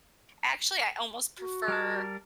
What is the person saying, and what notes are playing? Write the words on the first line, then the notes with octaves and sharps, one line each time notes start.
actually, I almost prefer,
F#4
G3 A#4 A5